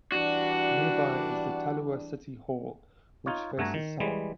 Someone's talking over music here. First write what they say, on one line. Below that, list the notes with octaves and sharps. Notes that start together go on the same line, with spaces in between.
Nearby is the Tallulah City Hall, which faces south.
E3 G3 D4 F#4
D#4 F4 C#5
G2 A3 F#4 G#5 A#5
D#3
E3 G3 G#3